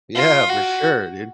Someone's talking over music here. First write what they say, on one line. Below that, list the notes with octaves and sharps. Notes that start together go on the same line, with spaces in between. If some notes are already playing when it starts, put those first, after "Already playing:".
Yeah, for sure, dude.
F4
F#4